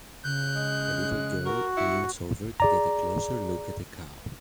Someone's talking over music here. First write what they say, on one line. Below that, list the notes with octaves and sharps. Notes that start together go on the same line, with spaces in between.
A little girl leans over to get a closer look at a cow.
C#3 F#6 G6
G#3
F#4 A#4
E4 C#7
G#4 D5 A#5